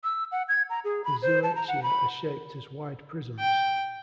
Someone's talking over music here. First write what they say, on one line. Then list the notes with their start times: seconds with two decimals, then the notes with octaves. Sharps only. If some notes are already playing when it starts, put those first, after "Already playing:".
The zooecia are shaped as wide prisms.
0.04 E6
0.32 F#5
0.49 G#6
0.70 A#5
0.85 G#4
1.04 B5
1.22 C5
1.43 A5
1.56 A#5
1.68 F#5
1.83 B5
3.39 G5